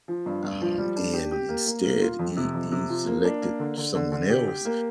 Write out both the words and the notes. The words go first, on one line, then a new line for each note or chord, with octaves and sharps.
um, and instead, he he selected someone else,
F3
G2
G2
F3
G3
D4
G4
G4
A#3
A#3
A#3
F4
F2
C3
F2
C3
F3
A#3
D4
A#3
D3
D3
D3
D3
G4
G4
A#3